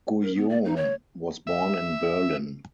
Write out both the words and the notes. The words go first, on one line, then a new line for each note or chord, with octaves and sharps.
Guillaume was born in Berlin.
A#4
B3
D5
D#4
C#5
E5